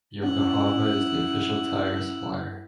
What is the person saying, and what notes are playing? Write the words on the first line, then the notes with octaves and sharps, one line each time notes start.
Yokohama is the official tire supplier.
C#4 E4 F#5